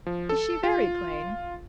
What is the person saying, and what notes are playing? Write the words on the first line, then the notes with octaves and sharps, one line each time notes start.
"Is she very plain?"
F3
A4
F4